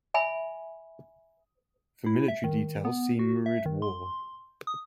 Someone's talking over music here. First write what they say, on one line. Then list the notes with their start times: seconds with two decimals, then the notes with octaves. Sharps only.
For military details see Murid War.
0.14 E5 G#5 B5
2.06 E4
2.28 E5
2.44 D#3
2.85 B3
3.19 F#4
3.46 E5
3.66 D#3
3.82 C6
4.67 D#6